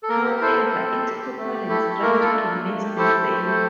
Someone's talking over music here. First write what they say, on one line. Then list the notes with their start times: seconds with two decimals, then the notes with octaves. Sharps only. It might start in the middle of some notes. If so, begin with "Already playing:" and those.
However, its corporate structure remains the same.
0.03 A4
0.09 A#3 A#4
0.25 G4
0.41 E4 A4 C5
0.57 A#3
0.74 C4
0.89 C4
1.06 G4
1.22 G4
1.38 A3
1.54 G4
1.69 E4 A4
1.86 A3
2.02 A#3 A#4
2.13 A#4
2.18 F4 A4
2.33 D4
2.49 A#3
2.66 A3
2.82 G4
2.97 E4 A4 C5
3.14 A3
3.30 A3
3.46 G4